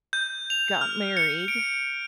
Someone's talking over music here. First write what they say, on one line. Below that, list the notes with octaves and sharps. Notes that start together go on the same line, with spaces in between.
got married,
G6
F7
F6
C#7
D7